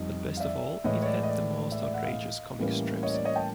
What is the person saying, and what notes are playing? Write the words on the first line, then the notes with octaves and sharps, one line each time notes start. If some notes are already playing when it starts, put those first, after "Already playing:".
But best of all, it had the most outrageous comic strips.
Already playing: F2 G3 D#4 D#5
F5
D5 E5
A2 E3 G#3 C#5 D#5
C#5
D5
D#5
D5
D5 E5
D5 E5
E5 F#5
D#5 F5
A2 E3 G3 A#3 C#4
C#5 D#5
D5
C#5 D#5
G5 A5